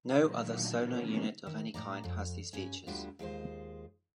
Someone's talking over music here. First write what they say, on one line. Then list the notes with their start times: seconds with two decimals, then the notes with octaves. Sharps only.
No other sonar unit of any kind had these features.
0.10 A#2 D3 D#3 F#3 A3 A#3
0.69 D#3 F3 A#3 B3 C#4
1.47 D#3
1.74 A2 D5 A#5
2.04 F2
2.53 G2 C#4 G#5
2.87 D2 D3 G3 B3 D4 F4
3.19 D#2 G#3 F4 C5